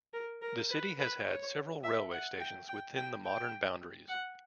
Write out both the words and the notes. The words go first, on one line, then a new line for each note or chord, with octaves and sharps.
The city has had several railway stations within the modern boundaries.
A#4
A#4
B4
B4
C#5
E5
F#5
G5
G5
G5
G5
F#5